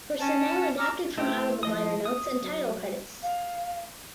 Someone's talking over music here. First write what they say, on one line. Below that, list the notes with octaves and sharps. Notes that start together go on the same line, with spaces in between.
Personnel adapted from album liner notes and Tidal credits.
C#4 A5
A#5 D6 E6 F6
A3 C4 E4 G4
F3 D#5 D#6
D#6
F#3
F5